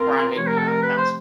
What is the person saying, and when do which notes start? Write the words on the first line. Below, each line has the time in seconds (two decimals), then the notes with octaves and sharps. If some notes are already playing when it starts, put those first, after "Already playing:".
private, uh, counselor.
Already playing: C4 F4 A#4
0.37 C3 F3 A3 C#5
0.47 A#4
0.57 A4
0.67 A#4
0.82 B4
0.98 C5